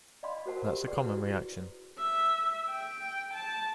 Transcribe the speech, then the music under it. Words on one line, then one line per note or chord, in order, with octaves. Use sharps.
That's a common reaction.
D5 D#5 F5 B5 C6
F#4 A#4 C5 F#5 A5
A#4
G4
G#4 B4 D5 F#5
E4 F#4 G#4 B4
E5
G5
A5